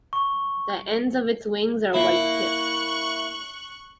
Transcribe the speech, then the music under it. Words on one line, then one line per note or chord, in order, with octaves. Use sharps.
The ends of its wings are white-tipped.
C#6
A#3 E4 C#6 F#6